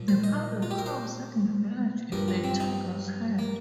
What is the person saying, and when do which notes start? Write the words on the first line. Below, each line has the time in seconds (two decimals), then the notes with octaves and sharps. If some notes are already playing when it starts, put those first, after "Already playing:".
The public house in the village is the Tiger's Head.
Already playing: A#2 F3
0.08 C5
0.24 D#5
0.62 F4
0.71 G4
0.78 A#4
0.86 C5
2.12 G2 F3 A#4
2.28 F4
2.44 C4
2.60 D#4
3.39 A#3